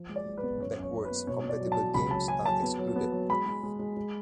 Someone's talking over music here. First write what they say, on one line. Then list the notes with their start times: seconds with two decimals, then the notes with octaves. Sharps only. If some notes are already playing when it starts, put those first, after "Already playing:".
Backwards compatible games are excluded.
Already playing: F3
0.09 G#3
0.16 D5
0.26 G#3
0.37 B4
0.43 B3
0.60 F#2 C#5
0.78 F#2 C#5
0.94 F#2
1.05 B4
1.11 B3
1.27 B2 C#5
1.44 B2
1.49 D5
1.61 F#3
1.72 A5
1.78 F#3
1.94 C#2 B5
2.11 F#3 A5
2.28 F#3 G#5
2.45 F#3 A5
2.63 B3
2.78 F#3
2.96 B3
3.12 F#3
3.29 G#3 B5
3.46 G#3
3.63 G#3
3.79 G#3
3.97 G#3